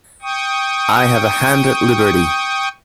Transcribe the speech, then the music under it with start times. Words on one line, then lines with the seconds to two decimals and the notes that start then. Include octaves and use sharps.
I have a hand at liberty.
0.22 G5 C#6 D#6